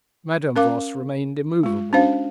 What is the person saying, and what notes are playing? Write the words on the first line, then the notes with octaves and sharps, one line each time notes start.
Madame Voss remained immovable.
C#4 A#4 F5 D6
G#3 F4
C#4 D4 F#4 C5 F5